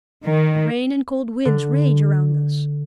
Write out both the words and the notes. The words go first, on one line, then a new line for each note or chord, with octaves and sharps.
Rain and cold winds rage around us.
D#3
D3